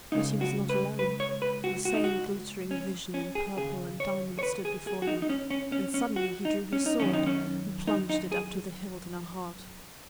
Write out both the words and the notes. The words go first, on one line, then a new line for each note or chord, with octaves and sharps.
But he was not alone; the same glittering vision in purple and diamonds stood before him, and suddenly he drew his sword and plunged it up to the hilt in her heart!
C#2 C#3 D#4
F#4
B4
B4
C#5
B4
F#4
F#4
D#4
F#4
C#4
C#4
G#4
D#2 C#3 G#4
C#5
C#5
B4
G#4
G#4
F#4
D#4
D#4
C#4
C#4
C#4
C#4
F#4
D#4
C#4
D#4
F#2 D#3 C#4
D#4
C#4
D#4
D#4
G#4